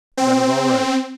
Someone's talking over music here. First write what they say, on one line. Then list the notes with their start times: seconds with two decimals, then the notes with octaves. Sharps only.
"That is all right."
0.17 C4